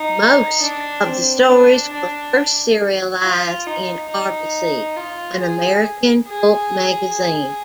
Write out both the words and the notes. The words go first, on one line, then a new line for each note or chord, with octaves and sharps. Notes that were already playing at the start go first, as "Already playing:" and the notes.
Most of the stories were first serialized in "Argosy", an American pulp magazine.
Already playing: D#4
D4
C4
D4
D4
F4
D#4
D#4
F4
G#4
G#4